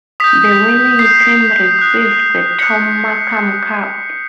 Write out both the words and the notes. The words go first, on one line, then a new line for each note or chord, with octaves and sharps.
The winning team receives the Tom Markham Cup.
D#6 G6 B6
D#6 G6 C7
D#6 F#6
D#6 F#6 B6 C#7